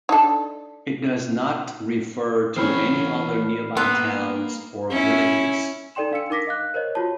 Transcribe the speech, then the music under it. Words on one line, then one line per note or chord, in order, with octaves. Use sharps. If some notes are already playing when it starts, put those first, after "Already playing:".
It does not refer to any other nearby towns or villages.
D4 D#4 A4
E3 C4 C#4 C#5 B5 F6 C7
A#3 B3 C6 E6
C#4 E4
D#4 A4 D5 G5 C6 E7
D4 F5 E6 C#7
D#4 A#4 D6 A#6 B6
D#5 F5 F#6
A#4 C5 C#5 D#5
F4 F#4 C#5 A5